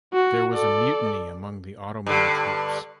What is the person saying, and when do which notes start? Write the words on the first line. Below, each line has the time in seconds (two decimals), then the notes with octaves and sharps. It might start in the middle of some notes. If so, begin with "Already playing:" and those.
There was a mutiny among the Ottoman troops.
0.13 F#4
0.53 A4 D5
2.06 G2 D3